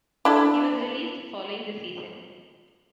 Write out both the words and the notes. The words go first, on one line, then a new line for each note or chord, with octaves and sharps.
He was released following the season.
D4 E4 A4